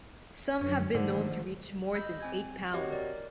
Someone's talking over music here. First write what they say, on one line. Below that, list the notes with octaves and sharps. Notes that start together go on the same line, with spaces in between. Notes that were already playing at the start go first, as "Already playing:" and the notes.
Some have been known to reach more than eight pounds.
F#2 D3 F3 F#3 C#4
G#2 D3 D#3 F3 A3 C5
D#5 B5 E6 G6
C4 G#5 G#6
C4 F#4 G4 C#5 D#5 F#5
A#4 D5